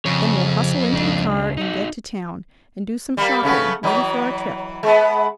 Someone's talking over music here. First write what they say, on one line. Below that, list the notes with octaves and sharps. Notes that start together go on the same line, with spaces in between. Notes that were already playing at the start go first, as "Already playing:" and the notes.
Then we'll hustle into the car, and get to town, and do some shopping ready for our trip.
F2 C#3 C#5
C#2 D4
D#4 F#4
G3 A#3
C#3 A3 B3
E3 F#3 D#5
G#3 B3